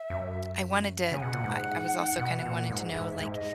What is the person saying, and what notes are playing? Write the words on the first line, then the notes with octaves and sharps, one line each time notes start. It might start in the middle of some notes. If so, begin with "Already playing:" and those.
I wanted to t I I was also kinda wanting to know, like,
Already playing: E5
F#2
F#5
C#3 G#5
B2 F#5
A#2
G#2
B2
A#2
G#2
G#2 E5
G#2
D#5